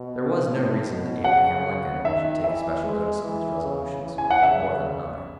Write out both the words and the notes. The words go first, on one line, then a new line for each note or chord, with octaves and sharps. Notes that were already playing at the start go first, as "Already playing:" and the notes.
There was no reason that Abraham Lincoln should take especial notice of these resolutions, more than another.
Already playing: B2
A2
B2
C#3 F#5
D#3 E5
E3 E5
G#3
E3
C#3
E3
G#5
F#5
C#3 E5